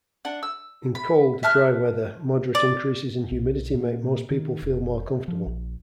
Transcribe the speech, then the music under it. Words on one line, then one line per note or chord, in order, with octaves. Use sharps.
In cold, dry weather, moderate increases in humidity make most people feel more comfortable.
D4 F#5
E6
B5
E5 A5 F6 F#6
D5
B1
A#2
D#3
F1
F3
A#1